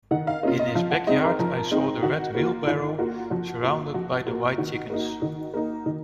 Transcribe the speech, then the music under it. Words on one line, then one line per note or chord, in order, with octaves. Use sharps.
In his back yard I saw the red wheelbarrow surrounded by the white chickens.
D#3 F#5
F5
A#3 C#4 F4 D#5
D#5
F3 F5
F#5
G#3 C4 D#4 D#5
A#4
F3
G#3 C4 D#4
D#3 F#4
A#3 F4
D#3 F4
A#3 F4 F#4
F3 F#4
A#3 F4
F3 F#4
A#3 F4
D#3 F#4
A#3 D#4
D#3
A#3 D#4
D#3